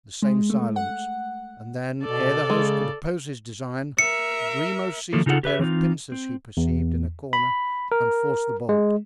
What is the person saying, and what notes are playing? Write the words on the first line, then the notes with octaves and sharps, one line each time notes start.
The same silence, and then, ere the host could oppose his design, Grimaud seized a pair of pincers he perceived in a corner and forced the bolt.
G#3
A3
F#5
B2 A4 D5
C#3 G#3
A#4 E5 C#7
D#3 F3 F#3 A3 A#3 A4
C#3 D#4 F4 A4 F#5
G4 B4 E5
E3 C4 D#4 F4
C4
E2
B5
A#4
G#3